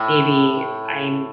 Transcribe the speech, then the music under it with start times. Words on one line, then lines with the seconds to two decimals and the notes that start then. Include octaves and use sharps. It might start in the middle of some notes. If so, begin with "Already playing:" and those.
maybe I'm
Already playing: A2